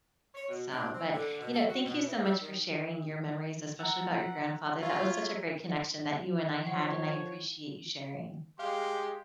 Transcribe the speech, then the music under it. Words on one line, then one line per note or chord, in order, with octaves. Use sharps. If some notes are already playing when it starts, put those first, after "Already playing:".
so but, you know, thank you so much for sharing your memories, especially about your grandfather. That was such a great connection that you and I had, and I appreciate you sharing.
C#5
B2
D4
C4
D3
B2
A4
F#4
B2
E3
E5
D#3
F#5 A#5 E6
F4 C#5 E5
F3 C#5 F#5
G#3 G4 F5 C6